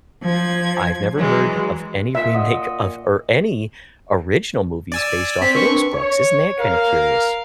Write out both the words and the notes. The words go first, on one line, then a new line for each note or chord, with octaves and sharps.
I've never heard of any remake of or any original movies based off of those books, isn't that kinda curious?
F3 G#6
E3 F#3 G#3
A#2 E5
D#5 F#5
D5 G#5 E6
C4 C5 B6
D4 A#4 B4 C#6
C#5
A#4 F5